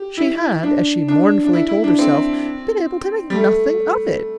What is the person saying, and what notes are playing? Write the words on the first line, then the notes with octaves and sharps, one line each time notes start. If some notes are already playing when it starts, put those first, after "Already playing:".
She had, as she mournfully told herself, been able to make nothing of it.
Already playing: G4
E4
D4
D4
D4
E4
E4
D4
C4
G3
A3